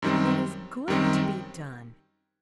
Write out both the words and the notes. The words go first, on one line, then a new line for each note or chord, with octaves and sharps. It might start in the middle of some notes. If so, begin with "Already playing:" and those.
There is good to be done!
F#2 D#3 G3 C4
F#2 D#3 G3 C4